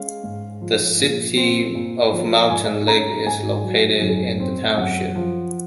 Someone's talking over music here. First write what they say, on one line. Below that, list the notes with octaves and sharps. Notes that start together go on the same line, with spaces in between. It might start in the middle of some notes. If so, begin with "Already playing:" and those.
The city of Mountain Lake is located in the township.
Already playing: G#3 C#4 F5
G#2
F3
A#2
C4
A#2
F3
G#2 G#5
C#4 A#5
G#2 G#5
F#3
F#2
C4
F#2 F#5
F3